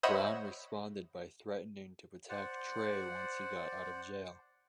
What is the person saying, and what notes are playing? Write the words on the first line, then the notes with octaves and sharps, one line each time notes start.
Brown responded by threatening to attack Trey once he got out of jail.
C5 C#5 D#5 E5 F#5 B5
C5 D5 F#5